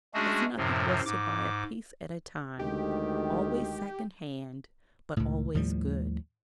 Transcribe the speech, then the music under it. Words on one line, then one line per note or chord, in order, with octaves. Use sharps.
His method was to buy a piece at a time, always second-hand, but always good.
G#3 A3 C#4 D4 F#4 G#4
F#2 A2 C3 F3
G#2 D6
D2 D#3 G#3 G4
C#2 A2
D#2 A2 F3 G3